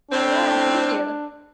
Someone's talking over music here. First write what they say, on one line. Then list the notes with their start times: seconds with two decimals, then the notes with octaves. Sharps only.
Yeah, thank you.
0.11 A2 C4 D4